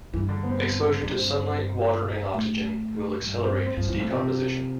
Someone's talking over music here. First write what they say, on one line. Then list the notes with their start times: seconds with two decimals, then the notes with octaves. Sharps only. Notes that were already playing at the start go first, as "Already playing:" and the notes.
Exposure to sunlight, water and oxygen will accelerate its decomposition.
0.13 G2 E3
0.29 D3
0.43 B3
0.50 C4
0.58 B3
1.02 G2 D4
1.16 C4
1.31 C4
1.45 C4
2.34 A2
3.22 G2
3.44 C4
3.66 C4
3.77 G2 F3
3.88 G2 E3
3.99 A2 F3
4.10 C3